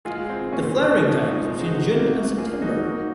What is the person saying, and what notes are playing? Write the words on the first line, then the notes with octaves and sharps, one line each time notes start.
The flowering time is between June and September.
G#3 F4 G#4
C4
A#2 C#4
C4
D#4
F3 C#4
C4 D#4
G#3
D#4 F#4
A#3 D#4 F#4
A#3 F4 G#4
D#4 F#4
A#3 D#4 F#4